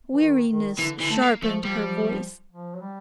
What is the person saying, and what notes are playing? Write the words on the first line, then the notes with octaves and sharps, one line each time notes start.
Weariness sharpened her voice.
E3
D#3
D#3
D3 E3
D3 E3
A3
A#3
F3 A3
F3 G3
F3
F#3
G3